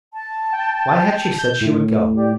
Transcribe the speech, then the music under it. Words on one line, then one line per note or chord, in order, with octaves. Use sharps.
Why had she said she would go?
A5
G5
G6
A2
G4 D5